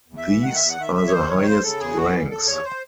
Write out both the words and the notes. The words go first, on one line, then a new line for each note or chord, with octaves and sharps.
These are the highest ranks.
E2
E5
E3
D#3 F#5
E2 E5
F#5
D#3 E5
E2 E5
C#5
E2 C5
D#3 C#5
C#3 C5
C#3 A4
E2 G#4
E3 F#4
E2
E2 A4
D#2 C#5
C5